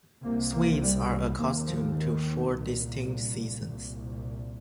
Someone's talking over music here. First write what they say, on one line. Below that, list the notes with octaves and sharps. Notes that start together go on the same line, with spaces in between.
Swedes are accustomed to four distinct seasons.
C2 C3 A#3
A#3
G3
D#2 A#3
F3
D#3
C2 A#2
C2 A#2